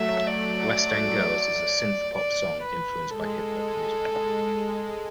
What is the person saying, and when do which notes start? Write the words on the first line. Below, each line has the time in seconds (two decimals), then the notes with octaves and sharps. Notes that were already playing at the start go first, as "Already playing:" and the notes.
"West End Girls" is a synthpop song influenced by hip hop music.
Already playing: F#3 A3 E5
0.28 A3 D5
2.16 D5
2.63 B4
3.10 G#3 A4